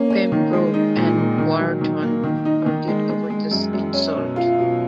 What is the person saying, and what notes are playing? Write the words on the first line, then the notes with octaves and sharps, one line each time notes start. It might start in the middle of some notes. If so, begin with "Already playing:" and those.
Pembroke and Wharton argued over this insult.
Already playing: A#3 C#4
C#4
D#3
G#3
D#4
A#2
A#2
D#3
F#3
D#3
A#3
D#3
D#4
D#3
G#3
G#3
G#3
F#2
F#2
C#4
B2
F4
B2